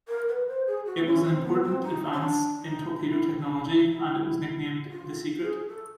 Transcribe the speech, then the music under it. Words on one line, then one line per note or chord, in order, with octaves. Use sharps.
It was an important advance in torpedo technology, and it was nicknamed "The Secret".
A#4
B4
C5
G#4
F#4
C#4
C4
B3
C4
D#4
C#4
D4
D#4
E4
D4
D#4
E4
F4
G#4
A4